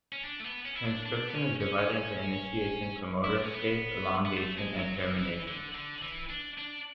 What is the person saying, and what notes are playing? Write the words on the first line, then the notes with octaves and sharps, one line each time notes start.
Transcription is divided into "initiation", "promoter escape", "elongation," and "termination".
C#4
D4
A3
B3
C#4
E4
D4
D4
B3
C#4
C#4
E4
D4
C#4
B3
B3
A3
G#3
F#3
E3
E3
D3
D3
E3
D4
D4